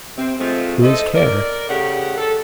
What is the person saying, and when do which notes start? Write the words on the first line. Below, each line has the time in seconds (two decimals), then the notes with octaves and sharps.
"Whose care?"
0.17 C3 C4
0.39 F3 G#3 A3 C4 F4 G#4
0.82 E4 A4 C5 D#5
1.15 A#4 D5
1.69 C#3 A3 G4 F#5
2.17 A4